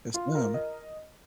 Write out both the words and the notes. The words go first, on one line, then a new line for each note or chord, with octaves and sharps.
Yes, ma'am.
F4
A#4
D#5